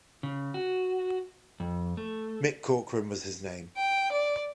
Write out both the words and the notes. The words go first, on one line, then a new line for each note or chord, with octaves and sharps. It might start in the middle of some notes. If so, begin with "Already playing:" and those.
Mick Corcoran was his name.
C#3
F#4
F2
A3
G5
D5